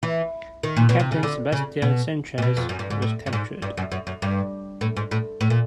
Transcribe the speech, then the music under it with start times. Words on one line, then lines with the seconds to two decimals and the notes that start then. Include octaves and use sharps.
Captain Sebastian Sanchez was captured.
0.03 E3
0.63 D#3
0.77 A#2
0.89 B2
1.00 C3
1.12 C#3
1.23 D3
1.52 C#3
1.82 B2
2.38 A#2
2.42 B2
2.57 F2
2.69 F#2
2.79 G2
2.90 G#2
3.02 A2
3.26 G2
3.33 G#2
3.62 G2
3.77 F#2
3.92 F#2
4.07 F#2
4.22 G2
4.81 A2
4.97 G#2
5.11 A2
5.41 A2
5.50 A#2